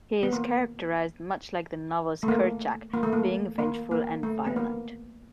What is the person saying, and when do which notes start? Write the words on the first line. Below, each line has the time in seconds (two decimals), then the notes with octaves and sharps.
He is characterized much like the novel's Kerchak, being vengeful and violent.
0.23 B3
0.33 A#3
2.23 A3
2.28 A#3
2.93 A#3
3.03 A3
3.13 A#3
3.58 A#3
3.91 A#3
4.23 A3
4.47 B3
4.56 A#3